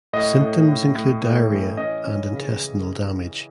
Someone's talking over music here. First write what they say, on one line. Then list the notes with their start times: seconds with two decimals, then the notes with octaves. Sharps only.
Symptoms include diarrhea and intestinal damage.
0.13 A2 D#5
0.41 A2
0.68 A2
0.95 A2
1.23 A2
1.50 E3
1.77 C#4 D#5
2.04 C#4
2.32 C#3